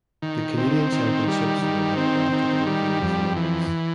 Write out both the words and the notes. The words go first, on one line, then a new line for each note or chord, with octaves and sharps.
The Canadian Championships were held after the Winter Youth Olympics.
D#3
C4
D#3
G3
D#3
C4
D#3
G3
F2
E3